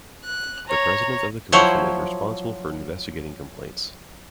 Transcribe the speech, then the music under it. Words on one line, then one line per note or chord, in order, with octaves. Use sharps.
The President of the Commission is responsible for investigating complaints.
F#6
C#5 A#5
F3 F#3 E4 C5 C#5